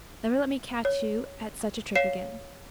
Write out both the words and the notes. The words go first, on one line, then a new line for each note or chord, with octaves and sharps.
Never let me catch you at such a trick again.
C#5
C#5 F5 C7 E7